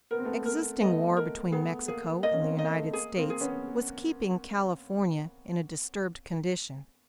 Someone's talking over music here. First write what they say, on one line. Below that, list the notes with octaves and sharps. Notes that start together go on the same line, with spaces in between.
Existing war between Mexico and the United States was keeping California in a disturbed condition.
B3 A#4
C4
A3 B3
A#4
A3 B3 D#5
A#4
A3 B3 G#4
A#3 G#4
A#3 D#5
C#4
A#3 C4
A#3 D#5
A3
A#3 G#4
A#3 C4
G#4
B3 C#4